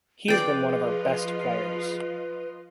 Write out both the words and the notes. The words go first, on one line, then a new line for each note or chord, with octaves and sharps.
He has been one of our best players.
F3 F4 G#4 B4 D5 D#5 G5